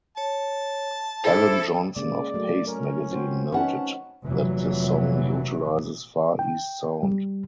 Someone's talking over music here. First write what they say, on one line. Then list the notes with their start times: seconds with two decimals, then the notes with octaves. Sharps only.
Ellen Johnson of "Paste" magazine noted that the song utilizes Far East sound.
0.17 C#5 A5
1.24 D4 E4 A4 C5
1.96 C#3 G#3 A#3 D5
2.34 F#3 A3
2.67 C#4 A#4
3.11 C4 F#4 C5
3.52 C#4 D#4 B4 C#5 F#5 A5
4.25 F1 A#2 E3 F#3
6.39 G5
7.03 G3